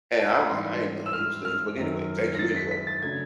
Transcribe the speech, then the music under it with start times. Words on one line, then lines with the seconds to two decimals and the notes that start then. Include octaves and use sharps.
and I'm like, "I ain't none of those things, but anyway, thank you anyway."
0.19 A5
0.30 A#5
0.40 B5
0.49 G#2 E3 G3 C6
1.06 E6
1.13 F6
1.45 F6
1.76 F#2 D#3 F#3
2.35 A#6
2.39 A6
2.56 B6
2.71 B6
2.87 A6
3.02 C#3 F#3 A3 D4 G#6